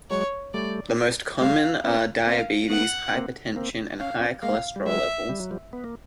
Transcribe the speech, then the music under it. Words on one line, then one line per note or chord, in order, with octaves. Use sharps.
The most common are diabetes, hypertension and high cholesterol levels.
F#3 G#3 C#5
G3 A3 D5
G3 A3 F5
B3 C#4
A#3 C4 F5
A3 B3 F#5
A#3 C4
A#3 C4
C#4 F5
B3 C#4
G#3 A#3 F5
G3
F#3 G#3 E5
G3
F#3
F3 G3
B3
A#3